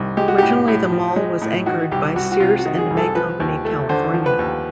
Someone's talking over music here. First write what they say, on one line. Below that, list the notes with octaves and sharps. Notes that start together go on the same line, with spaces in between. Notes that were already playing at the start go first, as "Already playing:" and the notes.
Originally, the mall was anchored by Sears and May Company California.
Already playing: C2 D#3
G#3 G4
F#4
A2 G4
A2
F3
G#3
A2
D#3 F#4
C2 G4
C2 F#4
F#4
C3 F4
F#4
D#3
G#4
C2
A4
F3 B4
D#2
A3
D3 C5
F3
B4
D#2